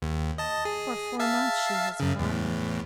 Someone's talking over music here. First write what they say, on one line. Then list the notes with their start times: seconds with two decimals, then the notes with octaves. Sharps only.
For four months she has fought me.
0.02 D#2
0.38 D#5 A5
0.65 G#4
1.20 E5 F5 A5
2.00 F#2 C#3
2.19 E2 A2